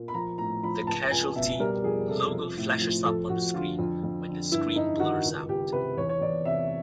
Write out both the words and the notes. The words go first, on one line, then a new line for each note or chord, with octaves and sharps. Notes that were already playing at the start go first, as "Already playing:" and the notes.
The "Casualty" logo flashes up on the screen when the screen blurs out.
Already playing: A#2
B5
F3 A#5
A2 A#5
F3 B5
C#2 A5
C#2 G#5
B2 E5
G3 A#4
F2 G#4
C3 A4
F3
A2
F3
F2 A4
F2 F#4
D3 F4
F2
F2
D3
G2 E4
G2 D#4
D#3 F#4
C#2
C#2 G4
C3 B4
E2 C#5
C#5
E2 D5
C3 E5